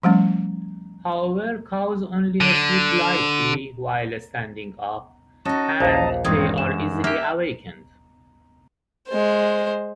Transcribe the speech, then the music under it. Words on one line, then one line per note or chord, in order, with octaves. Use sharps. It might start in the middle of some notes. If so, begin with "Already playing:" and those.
However, cows only sleep lightly while standing up, and they are easily awakened.
F3 G3 A3 C#4
D3
C#4 D#4 F#4 D#5 A5
A#1 D#2 C5 D#5 F5 A5 A#5
G2 D#3 E3 G#3 C4 D#4 D#6 G#6
F#2 E7
A#3 G4 E5
G#3 C5